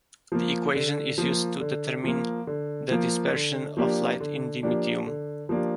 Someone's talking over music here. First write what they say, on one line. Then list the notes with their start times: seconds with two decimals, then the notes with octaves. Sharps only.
The equation is used to determine the dispersion of light in the medium.
0.32 F3 A#3
0.75 D3
1.18 F3 A#3
1.60 D3
2.04 F3 A#3
2.47 D3
2.91 F3 A#3
3.34 D3
3.77 F3 A#3 D4 G4
4.20 D3
4.63 F3 A#3 D4 G4
5.07 D3
5.49 F3 A#3 D4 G4